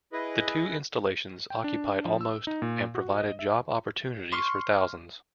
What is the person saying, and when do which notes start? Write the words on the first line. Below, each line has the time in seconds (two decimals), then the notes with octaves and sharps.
The two installations occupied almost and provided job opportunities for thousands.
0.13 E4 G#4 B4 D#5
1.50 G5
1.64 D4
2.05 F3
2.21 E6
2.47 D#4
2.62 A#2
2.95 F#4
3.18 D#5
3.39 E5
4.32 C6 C#6 F6